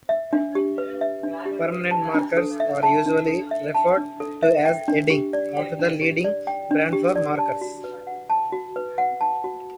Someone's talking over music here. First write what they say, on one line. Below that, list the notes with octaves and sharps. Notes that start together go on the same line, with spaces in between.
Permanent markers are usually referred to as "Edding" after the leading brand for markers.
E5
D4
G4
B4
E5
D4
G4
B4
A5
D4
A4
E5
A5
D4
A4
E5
A5
D4
A4
E5
G5
D4
G4
D5
G5
D4
G4
D5
G5
D4
G4
D5
A5
F#4
B4
F#5
A5
F#4
B4
F#5
A5
F#4